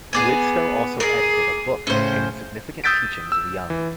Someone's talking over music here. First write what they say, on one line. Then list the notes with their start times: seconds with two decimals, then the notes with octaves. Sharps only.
Widtsoe also edited a book containing significant teachings of Young.
0.13 B3 G#4 D5 G#5
1.00 G#4 A#4 D5
1.87 A2 C#3 C#4 C5
2.84 D#6 E6 G6 A6 B6 D7
3.32 E6
3.70 E3